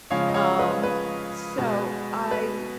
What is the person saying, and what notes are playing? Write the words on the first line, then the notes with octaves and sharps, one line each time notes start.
um, so I
C#3 F3 G#3 C#5 F5
D#5
C#5 F5
B4 D#5
B4
B2 G#3
B4